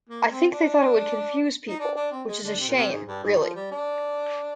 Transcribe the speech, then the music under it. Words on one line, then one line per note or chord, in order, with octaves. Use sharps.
I think they thought it would confuse people, which is a shame, really.
A#3
C4
D4
D#4
D4
D4
C4
G#3
D3
C3
A#2
C3
G#2
G2
G#2
D#3
F3
G3
D4